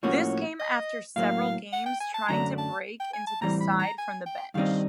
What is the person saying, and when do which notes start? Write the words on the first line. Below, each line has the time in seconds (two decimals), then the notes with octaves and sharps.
This came after several games trying to break into the side from the bench.
0.03 A2 F3 A#3 C#4 F#4 C#5
0.60 D#5
1.16 A2 F#3 A#3 F5
1.73 F#5
1.86 G5
2.00 G#5
2.14 A5
2.28 F#2 D3 F#3 A3 D4 A#5
2.58 A5
3.00 G5
3.13 G#5
3.27 A5
3.41 A2 E3 G3 C4 A#5
3.61 B5
3.80 A#5
3.98 G#5
4.26 G5
4.54 G2 D#3 G3 C4 D#4 F5